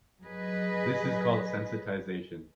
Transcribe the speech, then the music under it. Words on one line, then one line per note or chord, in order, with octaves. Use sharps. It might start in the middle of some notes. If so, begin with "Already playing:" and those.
This is called sensitization.
F#3 G#4 B4 D#5